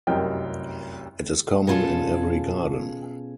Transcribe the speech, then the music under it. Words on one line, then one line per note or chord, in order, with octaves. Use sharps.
It is common in every garden.
F1 C2 F#2 A#4 D#5 G5
B2 C#4 F4 G#4 A4